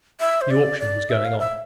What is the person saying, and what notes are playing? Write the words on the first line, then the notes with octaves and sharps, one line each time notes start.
The auction was going on.
E5
C5
D5
D5
E5
F5
E5